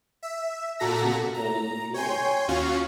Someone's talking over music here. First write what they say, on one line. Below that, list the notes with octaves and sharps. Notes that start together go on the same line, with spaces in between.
this was a hole in the floor.
E5
A#2 F#4 A4 A#5 A#6 B6
A#5
C#5 G5 G#5 C6
D#2 C#4 F4 F#4 F5 C#6